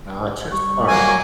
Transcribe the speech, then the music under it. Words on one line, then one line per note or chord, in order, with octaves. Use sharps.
Gotcha, smart.
G3 C#6
F#3 A#3 G#5